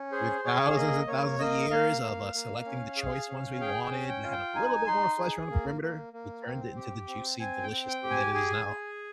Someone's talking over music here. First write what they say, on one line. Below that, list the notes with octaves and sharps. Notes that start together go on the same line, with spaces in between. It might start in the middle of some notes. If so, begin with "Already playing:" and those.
through thousands and thousands of years of, uh, selecting the choice ones we wanted that had a little bit more flesh around the perimeter, we turned it into the juicy, delicious thing that it is now.
Already playing: C#4
G#4 C5
G#4 C#5
F5
A#3 D#5
A#3 C#5
A#3 D#5
A#3 F5
A#3
A#3
C#4
G#4
C#4
G#4 G5
G5
C#4
G5
F4
G5
D#4 G#5
D#4 C6
G#4
A#3
A#3
A#3
C4
G4
C4
C4 G#5
G5
C4
G5
G4
G#5
G#4 G#5
G#4